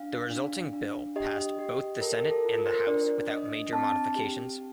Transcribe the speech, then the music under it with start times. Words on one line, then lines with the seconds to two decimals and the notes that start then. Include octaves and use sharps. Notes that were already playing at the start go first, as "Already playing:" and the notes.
The resulting bill passed both the Senate and the House without major modifications.
Already playing: D4 F5
0.30 D4
0.73 D4
1.16 G4 D#5
1.59 G4
2.01 A4 A#4
2.19 A#4
2.30 A4
2.45 F4
2.58 A#4
2.66 C5
2.73 A#4
2.87 D4 D5
3.30 D4 D#5
3.73 C4 A5
4.16 G4